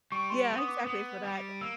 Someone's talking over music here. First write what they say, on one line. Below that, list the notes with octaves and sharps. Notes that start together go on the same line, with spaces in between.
Yeah, exactly for that.
G3 C#6
C6
B3
D#6
D6
B3 D#6
G3
A#3 E6